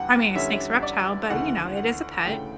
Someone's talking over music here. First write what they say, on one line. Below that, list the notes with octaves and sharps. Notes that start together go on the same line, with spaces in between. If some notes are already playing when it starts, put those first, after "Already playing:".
I mean, a snake's a reptile, but, you know, it is a pet,
Already playing: E2 D3 G3 F#5 G5
E2 D3 G3 C#4 E5
D5
D2 C#3 E3 A3 F#5
F#5
D2 C#3 E3 A3 G5